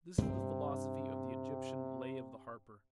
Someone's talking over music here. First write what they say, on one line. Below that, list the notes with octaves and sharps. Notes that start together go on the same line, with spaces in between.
This is the philosophy of the Egyptian "Lay of the Harper".
G2 C3 C4